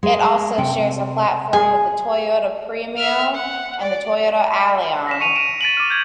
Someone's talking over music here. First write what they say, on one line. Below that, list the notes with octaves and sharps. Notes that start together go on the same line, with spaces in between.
It also shares a platform with the Toyota Premio and the Toyota Allion.
G#3
C3 G5
G#4 G#5
E5 F6
F#5
D5
A#6 B6 E7
C#6 C#7 D#7 F7
D7 E7 F7
A6 B6 D7 D#7 F7 F#7
D6 F6
G6 G#6